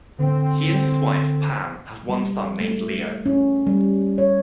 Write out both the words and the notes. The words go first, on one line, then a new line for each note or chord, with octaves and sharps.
He and his wife, Pam, have one son named Leo.
D3 C4
G3
A3
C#4
G3
C#5